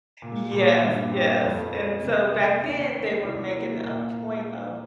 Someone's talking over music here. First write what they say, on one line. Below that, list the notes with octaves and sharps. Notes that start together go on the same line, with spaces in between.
Yes, yes, and so, back then, they were making a point of,
A#2
A#2
G2
C4
F2
C#4
C3
C3
D#2
C#4
C2
A#3
A#2